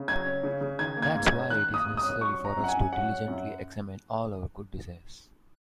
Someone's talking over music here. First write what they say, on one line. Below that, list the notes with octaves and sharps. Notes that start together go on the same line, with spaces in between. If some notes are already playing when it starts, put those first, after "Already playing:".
That's why it is necessary for us to diligently examine all our good desires.
Already playing: C#3
F#3 G#6
C#4
C#3
C#3
D#3 G#6
A#3
G#6
G#2
G#6
C#4
D#3 F#6
A#3
D#6
G#2
D#6
C#4
F#3 C#6
C#4
A#5
F#2
F#5
G#5
F#2
F#3 F#5
C#4
F#2